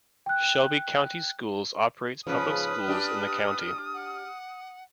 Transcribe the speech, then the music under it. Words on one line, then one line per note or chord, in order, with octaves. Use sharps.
Shelby County Schools operates public schools in the county.
G5 F#6
G#2 C#3 F3 B4 D#6 F6
D4 G4
F#5